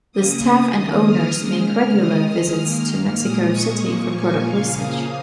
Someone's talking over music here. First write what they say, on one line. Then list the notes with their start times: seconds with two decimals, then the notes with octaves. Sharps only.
The staff and owners make regular visits to Mexico City for product research.
0.12 C#3 A#3 D#6
0.74 D#3 A#3
1.04 F6
1.36 C#3 G#3
1.97 D#3 G#3 D#6
2.28 F6
2.59 D#3 A#3 F6
2.90 F6
3.21 A#2 G#3 D#6
3.52 C#6
3.82 A#2 F3 A#3 C#6
4.13 G#5
4.44 C#3 F3 A#3 F5
4.75 D#6